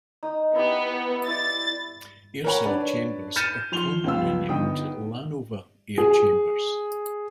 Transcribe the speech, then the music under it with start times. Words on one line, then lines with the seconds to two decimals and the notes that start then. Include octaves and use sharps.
Air cell chambers are commonly named Lanova air chambers.
0.23 D#4 D#6
0.56 B3 E4 G4
1.28 E4 D5 A6
2.44 A#4 B4 C#5 F#5 B5
2.66 D4 B4 C#5 D5
3.36 F6 G6 A6 C#7 D#7 E7
3.72 F3 C6 F7 G7
4.04 C#2 F3 B3 F5 E6
4.49 G1 B3 D#4 G5 D#6
5.98 G#4